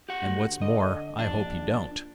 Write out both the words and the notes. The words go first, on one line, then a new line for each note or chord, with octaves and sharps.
"And what's more, I hope you don't."
G4 F#5
D2
D3 D#5
A#1 D4